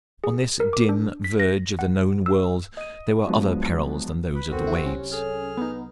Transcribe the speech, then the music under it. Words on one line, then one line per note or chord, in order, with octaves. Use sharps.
On this dim verge of the known world there were other perils than those of the waves.
G#4
A#4
D6
D4
B6
A#6
F#5
E6
D#5 D#7
F3 F#3 G#3 B3 D4
B4
B1 E2 B3 C4 F#4 A4 A#4
F#1 F3 E4 G4
C2 F#3 C#4
G#4 A4 F6
B3 D#4 B4